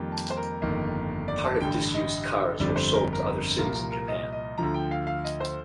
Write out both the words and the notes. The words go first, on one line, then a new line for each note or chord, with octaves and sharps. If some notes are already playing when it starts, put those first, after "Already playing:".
Part of disused cars were sold to other cities in Japan.
Already playing: F2 D#3 G3 A#3
A5
C5
A#4
G1 F2 D#3 A#3
D5
A5
A1 G2 D3 G5
D#5
G1 F2 D3 G3 C4 D5
C5
A#4
A#4
C2 A#2 F3 A#4
A#4
A#4
D#5
D#5
D2 D3 F3 A#5
G5
F5
F5
D#5
C5